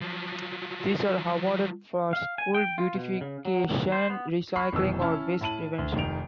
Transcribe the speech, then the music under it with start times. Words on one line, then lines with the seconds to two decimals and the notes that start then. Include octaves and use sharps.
These are awarded for school beautification, recycling or waste prevention.
0.01 F3 F#3
2.13 F5
2.38 G#5
2.55 G5
2.78 F4
2.95 B2
3.21 C#3
3.45 F#3
3.71 D#2
3.92 C5
4.10 B3
4.56 B5 C#6 F6 C7
4.72 F1 B2 D#3 E3 E6
5.01 C#4 E4 A5 F6
5.41 A2 E4 A5 D#7 F#7
5.78 D2
5.95 F1 D#3 D7 F7